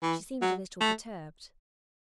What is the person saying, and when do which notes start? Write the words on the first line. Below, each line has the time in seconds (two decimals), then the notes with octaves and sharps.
She seemed a little perturbed.
0.03 E3
0.42 F#3
0.81 A3